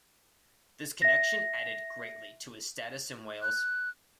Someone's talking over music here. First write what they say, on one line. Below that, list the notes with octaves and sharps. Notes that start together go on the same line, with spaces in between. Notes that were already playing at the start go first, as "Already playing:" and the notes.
This connection added greatly to his status in Wales.
E5 A#6
F#6